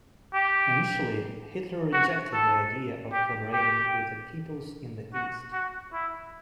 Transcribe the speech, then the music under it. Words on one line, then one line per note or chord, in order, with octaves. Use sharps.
Initially, Hitler rejected the idea of collaborating with the peoples in the East.
G4
F#4
A4
G4
G4
F#4
F#4
E4